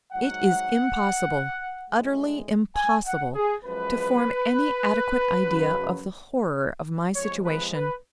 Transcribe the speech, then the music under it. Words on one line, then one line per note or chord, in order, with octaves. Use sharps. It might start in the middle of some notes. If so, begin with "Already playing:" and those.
It is impossible--utterly impossible--to form any adequate idea of the horror of my situation.
G#2 F#3 F#5
A2 G#3
G#5
F#5
G#4
F#2 F3 G#3 B4
F#2 C#3 F#3
F2 F3 G#3 C#5
B4
B4